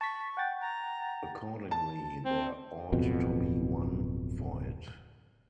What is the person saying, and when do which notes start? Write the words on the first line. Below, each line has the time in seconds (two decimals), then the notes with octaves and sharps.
Accordingly there ought to be one for it.
0.01 A5 C#6 B6
0.37 F#5 G5 A6
0.61 A#5
1.71 A5
2.25 C4
2.92 D1 F2 B2